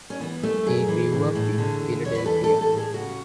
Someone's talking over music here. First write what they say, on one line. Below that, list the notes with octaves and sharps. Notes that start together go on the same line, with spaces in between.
He grew up in Philadelphia.
C#4
E3 B3
F#2 A3
F#2 G#4
E3
A2
A2
D3
E2
E2 C#5
B4
E3 A4
A4
A2
A4
A2
G#4
C#3 F#4